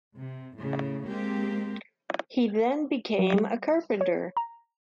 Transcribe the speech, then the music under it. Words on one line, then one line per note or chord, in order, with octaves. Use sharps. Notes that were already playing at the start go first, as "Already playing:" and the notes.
He then became a carpenter.
C3
A2 C#3
G#3 A#3 C4 G4
F#3
G3
C#5
A#5